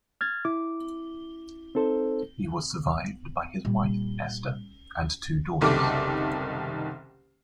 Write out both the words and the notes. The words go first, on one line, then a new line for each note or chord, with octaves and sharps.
He was survived by his wife, Esther, and two daughters.
F6 G#6 A6
E4 D6
C4 D#4 A4 C5
A#2 G3
F#1 C2 D#3 A4 D6